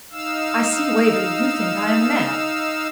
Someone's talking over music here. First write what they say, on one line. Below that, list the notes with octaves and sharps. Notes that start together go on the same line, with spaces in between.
I see, Waverley, you think I am mad.
D#4 F5 E6